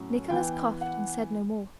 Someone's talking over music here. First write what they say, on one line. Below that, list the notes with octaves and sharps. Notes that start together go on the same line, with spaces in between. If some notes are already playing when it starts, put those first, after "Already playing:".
Nicholas coughed and said no more.
Already playing: A2 F#3 C#4
E3 B3 G5
F#5